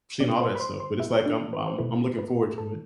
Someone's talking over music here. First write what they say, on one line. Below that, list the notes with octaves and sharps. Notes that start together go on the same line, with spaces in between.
seen all that stuff, but it's like I'm I'm looking forward to it.
B2 B3 D4 D5 D6
C5 C6
B5
C5 C6
C5 C6
E4 E5
D4 D5
B4
C5
B2 A3 E4 B4
B4
A4